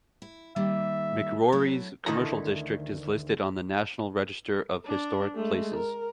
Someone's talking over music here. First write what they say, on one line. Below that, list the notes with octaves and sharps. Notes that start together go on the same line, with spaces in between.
McCrory's Commercial District is listed on the National Register of Historic Places.
E4
D#3 G3 A#3 E5
F#3 A3 E4
D2 D3 D#3 A3 E4 A#5
D4
G#3 A3
A#4